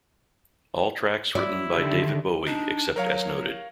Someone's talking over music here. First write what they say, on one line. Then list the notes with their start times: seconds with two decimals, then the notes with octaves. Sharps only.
All tracks written by David Bowie except as noted.
1.35 E4 F#4 D5
1.73 D3 D#3 G4 E5
2.47 D4 D#4
2.96 F#3 A#4 C#5 F5